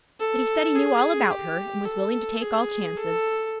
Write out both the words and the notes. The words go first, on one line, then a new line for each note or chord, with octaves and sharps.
But he said he knew all about her, and was willing to take all chances.
A4
G#4
G4
A4
G#4
A4